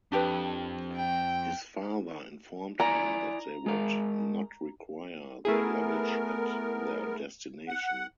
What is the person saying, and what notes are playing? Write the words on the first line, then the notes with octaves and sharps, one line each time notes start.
His father informed him that they would not require their luggage at their destination.
F2 D4 G4 B4
G5
E4 D5 G#5 A#5
G#3 A#4
A3 B3 E4 G#4 A#4
F#5